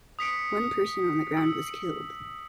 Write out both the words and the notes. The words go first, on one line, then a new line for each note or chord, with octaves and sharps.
One person on the ground was killed.
D#6 B6 C#7 D7
E6